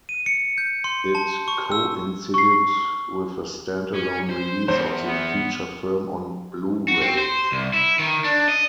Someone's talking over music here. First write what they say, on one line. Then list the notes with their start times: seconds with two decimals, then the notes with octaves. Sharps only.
It coincided with a standalone release of the feature film on Blu-ray.
0.09 D#7
0.26 C#7
0.58 G6
0.84 C6
1.15 A5
1.48 C#6
1.72 E6
2.34 C#6 C7
3.93 C#4
4.29 C5
4.68 E2 C5
5.07 B3
6.88 F#4
7.01 C4
7.18 C5
7.52 C2
7.73 E4
7.99 D#3
8.24 D4
8.49 D#5